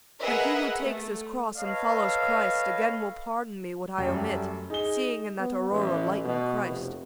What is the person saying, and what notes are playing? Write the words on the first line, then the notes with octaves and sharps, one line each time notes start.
But he who takes his cross and follows Christ Again will pardon me what I omit, Seeing in that aurora lighten Christ.
G#4 A#4 B4 D#5 E5 F#5
A3
A4 B4 C#5 D#5 F5
F#2 F#3 G3 A3 G5
D#4 G#4 G7
B3
A1
B2
F1